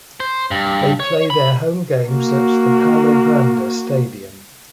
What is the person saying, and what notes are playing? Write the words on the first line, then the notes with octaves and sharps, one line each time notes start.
They play their home games at the Palogrande stadium.
C5
G2
C#5
B5
A#3 F#4